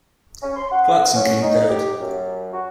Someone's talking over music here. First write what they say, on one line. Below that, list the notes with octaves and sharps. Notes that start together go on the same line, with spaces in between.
Clarkson came third.
C#4
C6
F#5
C#4
D#4
G4
F#2
F#4